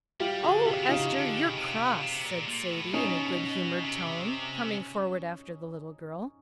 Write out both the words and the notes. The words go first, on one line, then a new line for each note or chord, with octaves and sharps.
"O, Ester, you're cross!" said Sadie, in a good-humored tone, coming forward after the little girl.
G3 F4 G4
D3 F#4 G#4
C3 F4 G4
D3
C#3 D#4 F4
D3
B2
C3
B2
C3
A#2
A#2
A2
B2 C#4 D#4
C3